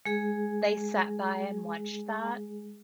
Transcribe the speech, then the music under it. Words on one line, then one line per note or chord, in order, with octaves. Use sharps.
they sat by and watched that,
G#3 G#4